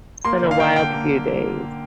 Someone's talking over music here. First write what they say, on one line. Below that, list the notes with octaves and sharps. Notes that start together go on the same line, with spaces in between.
it's been a wild few days.
A#3 C6
D3
F5
D3 G5
D3 G5
A#3